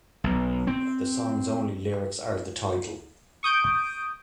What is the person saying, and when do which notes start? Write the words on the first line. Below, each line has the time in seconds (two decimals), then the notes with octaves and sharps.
The song's only lyrics are the title.
0.24 B1
0.67 C4
3.43 C#6 D#6 G6 D7